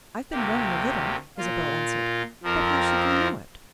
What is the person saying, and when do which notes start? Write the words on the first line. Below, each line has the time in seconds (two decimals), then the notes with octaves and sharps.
"I've been rowing a little," Isabel answered; "but how should you know it?"
0.31 D2 C3 A#3 G4
1.37 A#2 A#3 F4
2.43 F2 F3 C4 A#4